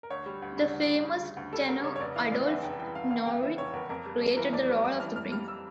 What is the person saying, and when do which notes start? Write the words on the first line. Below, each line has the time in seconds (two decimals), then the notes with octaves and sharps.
The famous tenor Adolphe Nourrit created the role of the Prince.
0.03 A#4
0.10 D2 C#5
0.26 G3
0.42 D2
0.58 C#3
0.73 D2
0.89 G3
1.05 D2
1.21 C#3
1.37 D2
1.53 G3 A4
1.68 D2 A#4
1.84 C#3 C#5
1.96 C#5
2.00 F1 D5
2.16 E3 F5
2.32 F1 D5
2.47 E2 E5
2.63 F1 G5
2.79 E3 G5
2.95 F1 F5
3.10 E2 F5
3.26 F1 G5
3.42 E3 E5
3.58 F1 C#5
3.73 E2 A#4
3.89 F2 A#4
4.06 G3
4.21 F2
4.37 E3 A#4
4.53 F2 D5
4.69 G3
4.84 F2 D6
5.00 E3 F6
5.16 F2 F6
5.32 G3 F6
5.48 E6